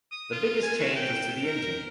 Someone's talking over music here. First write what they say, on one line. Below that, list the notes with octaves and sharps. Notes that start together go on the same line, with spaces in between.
The biggest change was to the engine.
D#6
F4
G#5
F#4
G5
A#4